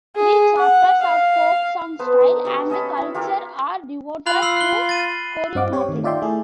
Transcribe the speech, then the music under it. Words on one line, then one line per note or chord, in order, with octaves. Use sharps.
Three chapters of "Folk Song Style and Culture" are devoted to Choreometrics.
G#4
F#5
F5
B3 B4 C5 A5
D4 D#4
F#4 G4 A4
C#4 D#5 A5 B5
E4
F4 G4 A4 A#4
F4 B5 F#6 F#7
E6 C7 F#7
F#6 G7
A6 D#7
G2 C4 D#5 F5 D6
C4 G4 C#5
D#3 A3
D#4 F4 D5 E5 G5 C6
A3 E4 G#4